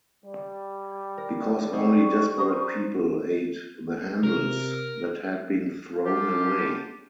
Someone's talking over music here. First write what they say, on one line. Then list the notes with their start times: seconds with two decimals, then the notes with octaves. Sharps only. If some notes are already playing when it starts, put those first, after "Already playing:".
Because only desperate people ate the handles that had been thrown away.
0.25 G3
1.18 A#4
1.73 C4 G#4 C#6
2.38 C5 A#5 D#6
4.23 C3 A#4
6.04 F#3 C#4 D4 F4 G4